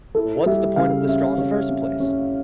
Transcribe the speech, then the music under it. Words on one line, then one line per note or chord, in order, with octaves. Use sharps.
What's the point of the straw in the first place?
E4 A4
G3 E5
C#3 F5
C#4 E5
C#4
C#4
C#4